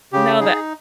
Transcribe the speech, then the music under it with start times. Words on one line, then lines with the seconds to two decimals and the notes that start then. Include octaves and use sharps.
No, that
0.13 C#3 G4
0.41 D#4 G#4